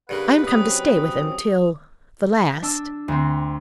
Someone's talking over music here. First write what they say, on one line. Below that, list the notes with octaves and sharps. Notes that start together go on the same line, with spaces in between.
I am come to stay with him, till--the last....'
G2 C#3 A#3 B4 F#5
F#3 C4 C#4 D#6
D4 E6
D2 C4